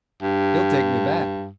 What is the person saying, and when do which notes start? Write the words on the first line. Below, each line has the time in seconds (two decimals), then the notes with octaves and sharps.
He'll take me back.
0.22 G2